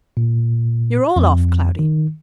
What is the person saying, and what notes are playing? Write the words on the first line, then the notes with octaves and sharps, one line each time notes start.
You're all off, Cloudy.
A#2
F2
D#3